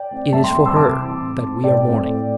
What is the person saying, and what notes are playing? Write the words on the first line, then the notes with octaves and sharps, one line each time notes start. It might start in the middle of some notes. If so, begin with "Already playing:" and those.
It is for her that we are mourning.
Already playing: D5 G5
A3 C4
G2 E5 A5
G5 C6
G3 C4
C6 E6
C3 A5 D6
E3 C4
A2
A3 C4
A2 D5 G5
A3 C4
A2